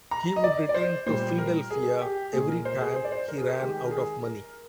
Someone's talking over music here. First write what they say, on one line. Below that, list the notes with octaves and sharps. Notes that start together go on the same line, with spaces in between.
He would return to Philadelphia every time he ran out of money.
A#5
D#5
D5
D5
C5
A#2 G3 A#3 C5
A#4
G#4
G4
A#2 G#3 G#4
A#4
C5
G#4
C5
D5
C5
A#4
G#4
A#4
D#3 G#3 G4
A#4
G#4
A#4